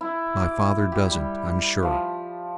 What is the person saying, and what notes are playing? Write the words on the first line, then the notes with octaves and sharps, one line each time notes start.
My father doesn't, I'm sure.
E4
D6
G4
G3
F3